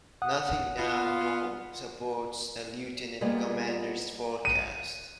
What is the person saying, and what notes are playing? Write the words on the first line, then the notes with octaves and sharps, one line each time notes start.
Nothing now known supports the Lieutenant Commander's forecast.
F#5 D#6
B3 F4
G3 A#3 B3 F4 G#4 D#5
D#7